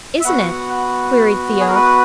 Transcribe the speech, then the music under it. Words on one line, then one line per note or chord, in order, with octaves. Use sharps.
"Isn't it?" queried Theo.
E5
B3 F#4 F#5
G#4
A#4
B4